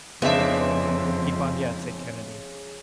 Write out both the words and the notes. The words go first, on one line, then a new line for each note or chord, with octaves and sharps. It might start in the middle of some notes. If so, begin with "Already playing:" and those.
"Keep on yet," said Kennedy.
F2 G#2 C#3 G#3 B3 C4 D4 E5